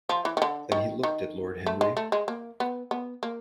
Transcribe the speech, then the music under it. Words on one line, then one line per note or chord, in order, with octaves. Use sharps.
Then he looked at Lord Henry.
F3
E3
D#3
D3
D#3
D#3
A3
G#3
A3
G#3
A#3
B3
B3
A#3